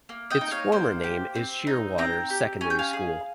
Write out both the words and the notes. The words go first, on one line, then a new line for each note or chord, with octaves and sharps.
Its former name is Sheerwater Secondary School.
A#3
D#5 G5
D#4
C#5 F5
A#3 C5
G4
C4
D#4
C4 G5 A#5
G4
C#4 G#5
G5
F5 G#5
G#4